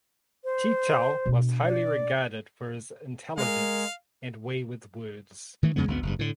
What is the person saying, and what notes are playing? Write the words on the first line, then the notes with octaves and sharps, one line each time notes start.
Chi Chao was highly regarded for his intelligence and way with words.
C5
B2 D4
D5
G#3 A#4 F5
D#3 E3 A3
F2 C#3 G#3 B3
G#1 D2 C#3 B3
F#1 G2
A2 D3